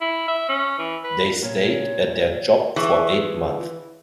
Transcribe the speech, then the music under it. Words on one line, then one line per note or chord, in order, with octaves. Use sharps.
They stayed at their job for eight months.
E4
E5
C#4
E3
B4
A#2 C#5
E3 G#4 C#6
F4